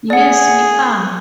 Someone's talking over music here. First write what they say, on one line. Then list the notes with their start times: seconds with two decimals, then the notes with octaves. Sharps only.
Yes we are!
0.10 G#4 D5 F#5